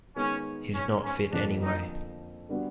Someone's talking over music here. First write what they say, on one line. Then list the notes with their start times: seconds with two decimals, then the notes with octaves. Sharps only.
He's not fit anyway.
0.16 D#3 G#3 B3 C#4 D#4
0.75 C#4
1.04 C#4
1.33 F2 D3 F3 A#3 D4
1.63 D#4
2.49 D3 G3 B3 D4 F#4